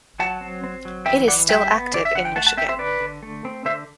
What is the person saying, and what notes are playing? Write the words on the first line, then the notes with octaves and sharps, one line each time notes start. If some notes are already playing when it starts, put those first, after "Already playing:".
It is still active in Michigan.
F#3 F#5 A5
C4
C4
F#3
E3 E5 G5
E3 D5 F#5
G3 E5 G5
B3
D3 D5
E5
D3 F#5
G5
A3 F#5 A5
F#5 A5
C4 E5 G5
C5 E5
D3 B4 D5
D3
A3
C4
D3 C5 E5